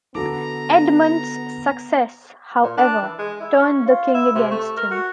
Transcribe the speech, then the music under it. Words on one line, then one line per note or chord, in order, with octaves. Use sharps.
Edmund's success, however, turned the king against him.
D3 B3 E4 F#4 A4 A#5 D6
A#2
D4
E3
G#3
E4
C#4
F4
E4
C3
A3
A#4
F#4